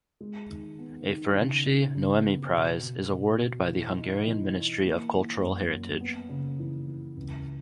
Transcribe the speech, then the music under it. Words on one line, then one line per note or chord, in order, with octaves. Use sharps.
A Ferenczy Noemi Prize is awarded by the Hungarian Ministry of Cultural Heritage.
G#3
D#3
B3
D#3
C#3
C#3
C#3
B3
B2
B2
B2
B2
E3
D#4
E3
E3
A#3
E3
F#2
A#3
B3
C#3
E3
E3
C#2